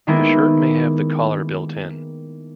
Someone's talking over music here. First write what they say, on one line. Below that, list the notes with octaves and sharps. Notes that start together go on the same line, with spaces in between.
The shirt may have the collar built in.
D#3 G#3 A#3 B3 E4 A#4